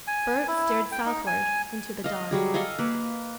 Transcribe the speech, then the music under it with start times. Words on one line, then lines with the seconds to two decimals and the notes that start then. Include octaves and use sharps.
Bert stared southward into the dawn.
0.07 G#5
0.48 E4
0.92 G5
1.06 D#4
1.27 G#5
2.04 D#5 F5
2.31 F#3 G3 G#4
2.54 A4 D#5 F5 G#5
2.79 A#3 B4